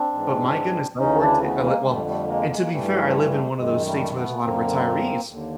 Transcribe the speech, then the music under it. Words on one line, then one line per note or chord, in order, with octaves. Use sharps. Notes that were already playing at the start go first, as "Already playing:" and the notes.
But my goodness, I've worked it of it well And to be fair, I live in one of those states where there's a lot of retirees,
Already playing: C4 D4
G#2 E3
D2 C#3 E3 C#4 D#4
D4 E4
A3 B3
G#3 A#3
G#3
F2 D3 G3 A3
G3 A3
G#3 A#3
G#3 A#3
A#3
G2 E3 G3 A3
F#2 D#3 G#3
G3 A3
A3 B3
F#2 D3 A#3 C4
D#2 D3